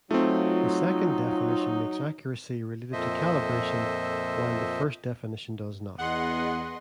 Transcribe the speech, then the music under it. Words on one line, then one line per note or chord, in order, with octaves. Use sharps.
The second definition makes accuracy related to calibration, while the first definition does not.
F#3 A3 C4 D#4 F4
F2 A#2 A4 C5 D#5 E5
E2 B3 G#4 D#5 F#5 C6